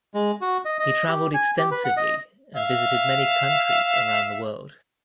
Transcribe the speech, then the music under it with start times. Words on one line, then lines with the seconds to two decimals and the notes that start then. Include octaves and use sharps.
He traveled extensively and visited many countries around the world.
0.14 G#3
0.41 F#4
0.65 D#5
0.79 D#5
1.08 G4
1.34 G#5
1.58 G4
1.71 B4
1.85 F#5
1.97 D#5
2.56 E5 F5